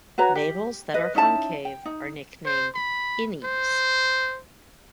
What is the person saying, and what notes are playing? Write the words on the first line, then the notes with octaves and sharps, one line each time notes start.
Navels that are concave are nicknamed "innies".
F#4 B4 C#5 A#5
G4
B4 D#5
C#4 D#4 E4 A5
G5
D#4
C5
B5
C5